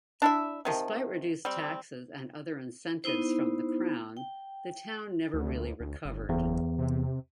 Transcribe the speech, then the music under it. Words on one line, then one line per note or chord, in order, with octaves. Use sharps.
Despite reduced taxes and other incentives from the Crown, the town never really recovered.
D4 E4 E5
C3 D#3 F3
G3 C4
B3 D#4 E4 C5
G5
D2
D2
G1
F#1 E2
C3